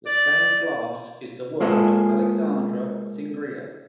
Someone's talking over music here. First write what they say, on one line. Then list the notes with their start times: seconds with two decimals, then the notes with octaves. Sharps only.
The stained glass is the work of Alexandre Cingria.
0.06 D5
1.60 G#3 A#3 F4 G#4 A4 E5